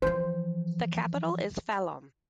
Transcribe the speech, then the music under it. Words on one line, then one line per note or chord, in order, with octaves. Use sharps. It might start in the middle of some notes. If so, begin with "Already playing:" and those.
The capital is Phalombe.
E3 F3 C5